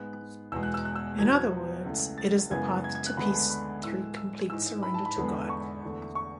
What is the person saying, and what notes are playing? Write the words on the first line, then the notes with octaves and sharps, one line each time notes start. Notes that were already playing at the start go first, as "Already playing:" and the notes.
In other words, it is the path to peace through complete surrender to God.
Already playing: G#2 G#3 B3 F#6
E2 B2 G#3 E6
F#6
E6
F#6
E6
E2 B2 F#3 B3 G#6
G#6
C#2 C#3 E3 A3
A6
F#2 C#3 E3 G#3 B3 G#6
G#6
G#6
F#6
D2 D3 G#3 B3 B5
A5
B5
A2 E3 G#3 E6
E6
G#2 E3 G#3 E6
B5
A5
B5
E2 D3 G#3 B3
C#6
E2 D3 A3
C#6